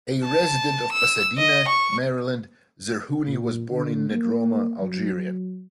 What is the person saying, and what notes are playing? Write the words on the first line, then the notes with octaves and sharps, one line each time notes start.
A resident of Pasadena, Maryland, Zerhouni was born in Nedroma, Algeria.
A5
E6
D#5
C#6
A#2
D3
A#3
F#3